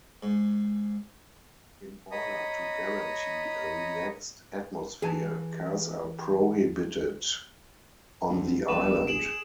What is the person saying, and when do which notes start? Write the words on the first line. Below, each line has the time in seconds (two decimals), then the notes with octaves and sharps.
In order to guarantee a relaxed atmosphere, cars are prohibited on the island.
0.23 G#2
2.11 C#5 D#5 A#5 B5 D#6
5.02 E3 G#4 G#5 A5
8.29 D2
8.68 G1 D4 B4 D5 E7
9.07 G#4 D7 E7 F#7